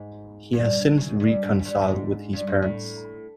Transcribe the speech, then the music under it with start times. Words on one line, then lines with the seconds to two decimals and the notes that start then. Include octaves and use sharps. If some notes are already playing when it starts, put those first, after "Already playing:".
He has since reconciled with his parents.
Already playing: G#2
0.53 G2
0.98 F#2
1.20 G2
1.43 G#2
1.59 G#2
1.65 G2
1.82 G2
1.88 G#2
2.33 G2
2.47 G2
2.62 A2